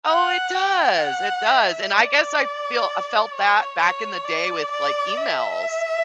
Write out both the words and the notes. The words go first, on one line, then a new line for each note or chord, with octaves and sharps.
Oh, it does, it does, and I guess I feel I felt that back in the day with, like, emails,
F#5
G5
F#5
E5
D5
C#5
C#5
D5
D5
E5